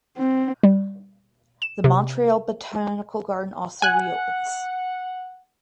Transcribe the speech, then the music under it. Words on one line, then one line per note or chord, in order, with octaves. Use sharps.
The Montreal Botanical Garden also reopens.
C4
G3
E7
C3
F#5 G#5 F#6